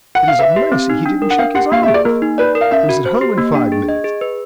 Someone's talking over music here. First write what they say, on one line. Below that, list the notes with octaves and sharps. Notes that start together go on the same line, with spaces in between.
It is a mercy he didn't shake his arm off. He was at home in five minutes.
F#5
F5
B4 E5
G4
C4
D#4
D4
A#4
F#5
D4 F5
G4 F#5
A#3 F5
E5
G#4
D5
A#3 A#4
D#4
B4 D5
A#4
F5
C#4 E5
F#4
C5
G4
A#3
D4
G#4
D#5
G#4
B4